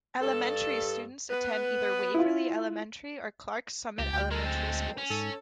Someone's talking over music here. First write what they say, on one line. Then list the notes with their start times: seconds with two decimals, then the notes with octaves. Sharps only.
Elementary students attend either Waverly Elementary or Clarks Summit Elementary schools.
0.21 G2 A4
1.31 B3 B4
2.14 E4 F4
3.99 C#2 G4
4.13 D2 G5
4.31 G#3 A4 A#4
4.45 C4
4.98 C#4
5.10 G#2 A4